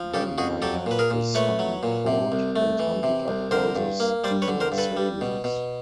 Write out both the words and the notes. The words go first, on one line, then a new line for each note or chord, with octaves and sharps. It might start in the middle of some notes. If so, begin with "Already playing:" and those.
Then I had a sudden thought, and hunted up all the steamer sailings.
Already playing: F3
C#3 G4 A4
F2 F#4 G#4
F#3 G4 A4
A#2 B4
G#4 A#4
A#2
A3 B4 C#5
F#3
A#2
C3
C2
A3
E3
C3
C2
D3 A#4 C5
G2
A#3
G3 C5 D5
B4 C#5
D3
A#4 C5
G2
A4 B4
G3
B2
B2